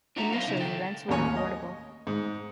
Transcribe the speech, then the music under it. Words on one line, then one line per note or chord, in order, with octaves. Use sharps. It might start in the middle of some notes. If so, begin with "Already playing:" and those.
Initially, rents were affordable.
D4 F4 F#4 C#5 E5 A#5
F#3 B3 A#4 C5 F5
B1 C#3 D#4 E4
D#3 A4 G5
A1 D#2 A#3 C#4 C#5 G#5
D#5
G#2